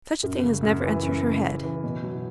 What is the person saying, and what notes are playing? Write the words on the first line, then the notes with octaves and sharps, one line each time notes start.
Such a thing has never entered her head.'
F#2
C#3
F#2
E3
F#2
C#3
F#2
E3
B2
F#3